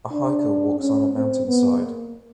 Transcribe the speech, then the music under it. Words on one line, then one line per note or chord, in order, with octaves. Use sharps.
A hiker walks on a mountainside.
D4
C#4
C4
B3
A#3